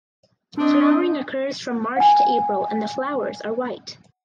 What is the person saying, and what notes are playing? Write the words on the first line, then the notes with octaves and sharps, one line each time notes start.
Flowering occurs from March to April and the flowers are white.
C4 D4 D#5
F#5 G#5